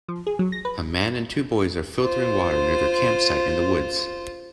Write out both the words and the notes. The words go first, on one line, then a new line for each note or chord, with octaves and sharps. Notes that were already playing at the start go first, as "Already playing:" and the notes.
A man and two boys are filtering water near their campsite in the woods.
F3
G#4
F#3
A#6
B4
F4 C5